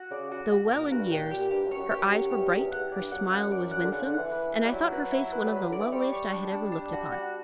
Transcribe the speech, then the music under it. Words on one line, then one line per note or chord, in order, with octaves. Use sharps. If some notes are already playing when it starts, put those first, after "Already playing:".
Though well in years, her eyes were bright; her smile was winsome, and I thought her face one of the loveliest I had ever looked upon.
Already playing: F#4
C#3 D5
F#4
F#4
B2
A#2 A#4
G2 F#4
A#2 G5
A#2 G4
G2 G4
F#2
C#5
F#2
E2 G4
F#2
C#5
E2 G4
F#2
G4
E2
E2 F#5
D5
G2
F#2 F#5
F#5
D5
F#5
D3
C#3 F#5
D3
F#5
E3
B4
B4
G3
F#3 E4
B4
E4
B4
G3
F#3 B4
D3 D5
E3
G3 C#5
C#5
D4
D4
D4
F#4
F#4